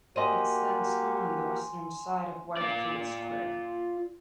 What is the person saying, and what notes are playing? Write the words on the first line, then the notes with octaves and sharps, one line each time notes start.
It stands on the western side of Whitefield Square.
A#3 F#4 G4 C5 D#5 G#5 C6 D#7
F4 D5